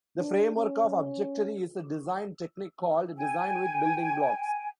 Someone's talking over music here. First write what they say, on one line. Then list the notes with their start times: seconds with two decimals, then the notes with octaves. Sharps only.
The framework of objectory is a design technique called design with building blocks.
0.20 D4
0.56 C#4
3.17 G5 G#5